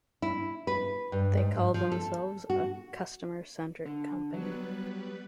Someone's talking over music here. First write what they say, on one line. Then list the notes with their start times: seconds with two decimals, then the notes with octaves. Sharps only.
They call themselves a customer-centric company.
0.22 E4
0.67 B4
1.12 G2
1.37 G#2
1.74 F3
1.92 A4
2.50 F#4
3.86 D3
4.34 F#3 G3 B3 B4